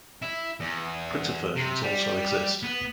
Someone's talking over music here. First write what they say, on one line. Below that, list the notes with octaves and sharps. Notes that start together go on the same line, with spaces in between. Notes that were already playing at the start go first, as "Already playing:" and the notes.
Printed versions also exist.
E4
E2
C3
G3
B3